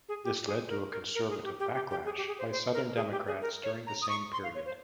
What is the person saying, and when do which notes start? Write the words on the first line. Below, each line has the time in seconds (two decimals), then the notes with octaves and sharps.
This led to a conservative backlash by southern Democrats during the same period.
0.09 G#4
0.24 G4
0.47 G#4
0.69 A#4
0.92 A#4
1.15 A#4
1.30 G#4
1.44 G4
1.60 G4
1.75 G4
1.91 G4
2.05 G#4
2.17 G4
2.28 G#4
2.39 C5
2.51 C5
2.74 A#4
2.96 G#4
3.12 G4
3.27 G#4
3.42 A#4
3.64 C#5
3.87 A#5
4.02 D#6
4.09 C#6
4.33 C6
4.43 F5
4.55 C#5
4.66 C5